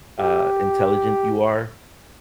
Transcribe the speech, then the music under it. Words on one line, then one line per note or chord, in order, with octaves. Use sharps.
uh, intelligent you are.
G4